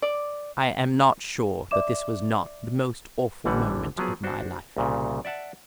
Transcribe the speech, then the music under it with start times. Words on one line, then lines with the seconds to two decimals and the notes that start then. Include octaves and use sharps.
I am not sure that this was not the most awful moment of my life!
0.02 D5
1.71 D5 E5 D6 E7
3.45 A1 D3 E3 G3 F#5
3.98 F3 F#3 B3 G#4
4.24 D4 F#4 C5
4.77 C2 A#2 C#3
5.25 D5 E5 F#5 A5